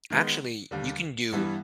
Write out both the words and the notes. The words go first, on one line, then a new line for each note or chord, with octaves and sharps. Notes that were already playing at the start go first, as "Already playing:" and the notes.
Actually, you can do
D#3 G#3 B3
D#2 D3 G3
G2 E3 G3 B3 E4